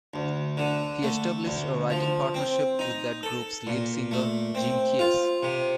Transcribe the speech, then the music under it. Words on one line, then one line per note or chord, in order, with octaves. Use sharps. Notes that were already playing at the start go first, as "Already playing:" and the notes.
He established a writing partnership with that group's lead singer, Jim Keays.
D2
D3
A3
D2
F3
C4
D#4
A4
A#2
A3
C4
F4
C3